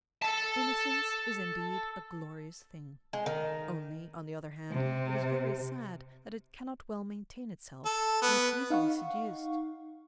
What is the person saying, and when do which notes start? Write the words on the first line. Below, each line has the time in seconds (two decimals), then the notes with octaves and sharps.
Innocence is indeed a glorious thing; only, on the other hand, it is very sad that it cannot well maintain itself and is easily seduced.
0.22 A4 A5
3.13 G#3
3.26 D#3
4.72 C3
7.85 A4
8.22 B3
8.70 D#4 F5 F#5 C#6